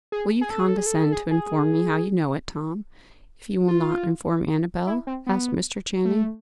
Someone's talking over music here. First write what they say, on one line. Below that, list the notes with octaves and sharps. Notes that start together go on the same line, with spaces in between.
"Will you condescend to inform me how you know it, Tom, if you will not inform Annabel?" asked Mr. Channing.
G#4
G#4
A4
G#4
A4
G#4
A4
G#4
A4
G#4
G#4
F4
E4
C4
B3
A3